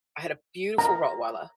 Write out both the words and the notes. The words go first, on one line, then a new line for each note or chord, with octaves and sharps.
I had a beautiful Rottweiler
A#5